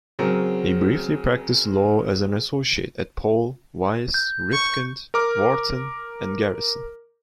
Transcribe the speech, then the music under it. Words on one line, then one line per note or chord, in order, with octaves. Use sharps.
He briefly practiced law as an associate at Paul, Weiss, Rifkind, Wharton and Garrison.
C#3 F#3 C4 A#4
G6
C#6
A#4 A#5 D6 F6